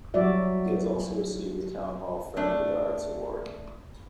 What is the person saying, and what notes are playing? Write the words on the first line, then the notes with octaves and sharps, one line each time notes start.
He has also received the Town Hall Friend of the Arts Award.
F#3 G3 F#4 D5 E5
A3 D4